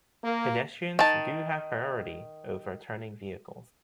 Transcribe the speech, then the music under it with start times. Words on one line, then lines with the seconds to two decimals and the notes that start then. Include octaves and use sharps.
Pedestrians do have priority over turning vehicles.
0.24 A#3
0.99 D#3 A5